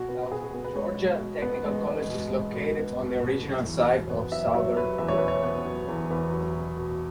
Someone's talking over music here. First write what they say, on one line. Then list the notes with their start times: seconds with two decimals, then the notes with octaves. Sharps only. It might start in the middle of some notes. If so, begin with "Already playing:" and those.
South Georgia Technical College is located on the original site of Souther Field.
Already playing: B2 F#4
0.09 B3
0.23 B4
0.31 B2 G#4
0.54 B3
0.64 B4
0.75 G#3 C#5
0.98 B2
1.20 B2
1.42 B3
1.65 G#3
1.87 G#3
2.09 B2
2.31 G#3
2.54 B2
2.77 B3
2.98 B2
3.21 B2
3.43 F#3
3.65 E2
3.87 B2
4.10 B3
4.32 F#3 E5
4.54 F#3 C#5
4.77 F#3 B4
4.98 E2 E5
5.08 C#5
5.18 B2 B4
5.28 C#5
5.43 B3
5.65 F#3
5.88 E2
6.10 E2 B4
6.32 F#3
6.54 B2
6.77 B2